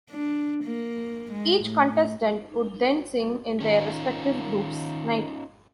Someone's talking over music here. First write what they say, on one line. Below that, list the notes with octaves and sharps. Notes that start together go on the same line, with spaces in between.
Each contestant would then sing in their respective group's night.
D4
A#3
G#3
A2
D#3 C#4 D#4 F4